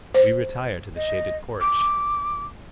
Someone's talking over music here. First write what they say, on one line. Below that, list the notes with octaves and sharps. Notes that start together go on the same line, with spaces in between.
We retire to the shaded porch.
C5
D#5
D6